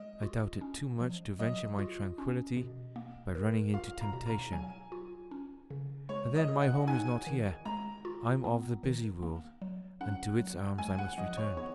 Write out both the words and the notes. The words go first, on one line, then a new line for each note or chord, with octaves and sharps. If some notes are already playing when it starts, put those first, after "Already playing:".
I doubt it too much to venture my tranquillity by running into temptation: and then my home is not here. I'm of the busy world, and to its arms I must return.
Already playing: G#3 D#5
F4
C#4
F3
F#3 D#5
F4
C#4
B2
A#3
A#4
F4 F5
A#5
B2
A#5
F#3 G#5
F4
C#4
C#3
G#3 C#5
D#5
G#4
F#5
D#4 G#5
D#3
G#3 A#5
F4
B3
D#3
A#3
F#3
C#4 F#5
F#3
G#3 G#5
F#5
F3 D#5
C#5
B3 C#5